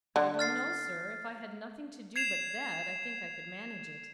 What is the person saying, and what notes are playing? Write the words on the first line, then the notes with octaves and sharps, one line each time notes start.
"I don't know, sir; if I had nothing to do but that, I think I could manage it."
D3
F6 A6 C7
G#6 C7 E7 F7